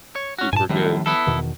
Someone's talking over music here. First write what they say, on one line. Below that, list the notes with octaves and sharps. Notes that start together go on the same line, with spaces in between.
super good.
C#5
C#4 F#4
G2 A#2 G#5 A5
F#2 A2 D#3 F3 G3
B3 E4 A4
E2 B2 D#3